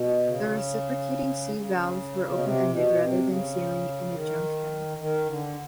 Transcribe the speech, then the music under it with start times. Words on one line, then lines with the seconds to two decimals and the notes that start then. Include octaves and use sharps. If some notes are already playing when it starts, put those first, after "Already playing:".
The reciprocating sleeve valves were open-ended, rather than sealing in a junk head.
Already playing: B2
0.26 C#3
1.55 C#3
2.32 B2
2.41 C3
2.69 B2
2.98 C3
3.26 C#3
4.12 D#3
4.98 D#3
5.26 D3